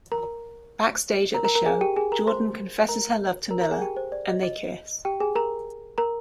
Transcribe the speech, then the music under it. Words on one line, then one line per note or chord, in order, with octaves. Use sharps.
Backstage at the show, Jordan confesses her love to Miller and they kiss.
A#4 A#5
A#4 A#5
A#4 A#5
A#4 A#5
G#4 G#5
G4 G5
G#4 G#5
A#4 A#5
C5 C6
A#4 A#5
A#4 A#5
A#4 A#5
G#4 G#5
G4 G5
C5
D5
D#5
D#5
G4 G5
G#4 G#5
A#4 A#5
A#4 A#5